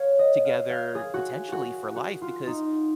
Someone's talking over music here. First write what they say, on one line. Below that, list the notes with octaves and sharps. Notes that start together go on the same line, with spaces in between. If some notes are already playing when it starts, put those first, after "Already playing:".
together potentially for life because
Already playing: C#5 F5
D#5
F5
F5
G#4
F#4
F#4
F#4
F4
D#4